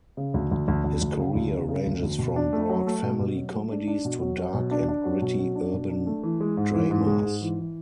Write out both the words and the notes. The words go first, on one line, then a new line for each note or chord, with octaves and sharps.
His career ranges from broad family comedies to dark and gritty urban dramas.
C#3
D2
D2
D2
D2
D2
C#3
D2
C#3
C#3
D2
D2
B2
D4
A3
F#3
A3
B2
B2
F#3
A3
D4
D4
B2
F#3
F#3
B2
D4
D4
F#3
B2
F#3
D4
B2
D4
A3
E3
G#3
G#2
E3
G#2
G#3
G#2
E3
E3